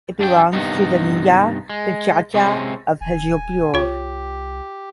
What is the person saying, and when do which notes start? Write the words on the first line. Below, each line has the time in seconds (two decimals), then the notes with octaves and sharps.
It belongs to the nyaya panchayat of Hajipur.
0.19 F#2 D4 F4 G5
0.53 G2 C3 D#3 B3 D#4
1.70 G#3
2.34 C3 G#3 C4 C#4
3.01 D#1 G#5
3.74 C2 F4 G4 C#5